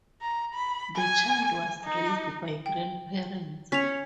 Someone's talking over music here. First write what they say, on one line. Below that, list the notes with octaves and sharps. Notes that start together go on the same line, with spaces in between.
The child was raised by grandparents.
A#5
B5
G#5
G#5
D#4
G5
C#4 C#5 B6 F7